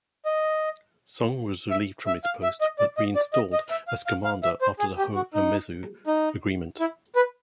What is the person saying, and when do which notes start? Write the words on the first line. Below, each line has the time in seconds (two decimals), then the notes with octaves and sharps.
Song was relieved from his post but reinstalled as commander after the Ho-Umezu agreement.
0.25 D#5
1.71 E5
2.07 E5
2.24 F5
2.43 E5
2.61 D#5
2.79 D5
2.98 D#5
3.16 D5
3.33 D#5
3.53 D#5
3.70 E5
3.88 F5
4.07 F5
4.24 F5
4.43 E5
4.61 C5
4.79 G#4
4.98 G4
5.15 F#4
5.34 D#4
6.07 D#4
6.80 E4
7.16 B4